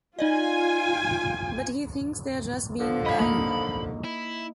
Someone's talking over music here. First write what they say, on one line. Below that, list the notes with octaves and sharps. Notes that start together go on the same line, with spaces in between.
But he thinks they are just being kind.
D#4 F4 D5 D#5 G#5
D3 F3
D#5 F5 B5
A#3 D#4 B5
E4